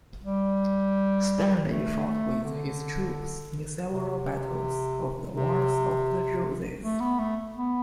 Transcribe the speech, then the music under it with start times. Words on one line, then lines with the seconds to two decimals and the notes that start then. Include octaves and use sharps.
Stanley fought with his troops in several battles of the Wars of the Roses.
0.23 G3
1.69 A3
2.06 A3
2.43 D3
3.89 C3
5.35 C3
6.82 A3
7.00 B3
7.19 A3
7.55 B3